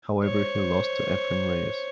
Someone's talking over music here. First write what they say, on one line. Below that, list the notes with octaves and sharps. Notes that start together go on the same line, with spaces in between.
However, he lost to Efren Reyes.
C5 C#5